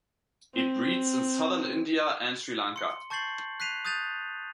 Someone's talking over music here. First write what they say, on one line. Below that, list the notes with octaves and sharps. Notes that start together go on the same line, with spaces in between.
It breeds in southern India and Sri Lanka.
C4
C6 C#7
A5 C#6 G6 A6 C7 F#7
F#6 B6 C7 D#7 F7
D#6 F#6 G6 A6 D#7 F7